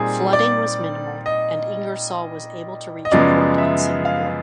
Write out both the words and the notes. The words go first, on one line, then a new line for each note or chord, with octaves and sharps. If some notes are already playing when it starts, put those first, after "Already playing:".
Flooding was minimal and "Ingersoll" was able to reach port in Singapore.
Already playing: A#2 G3 C4 D#4 G#4
D5
D#5
D#5
F#2 C#3 F3 G#3 B3 D5
E5
F5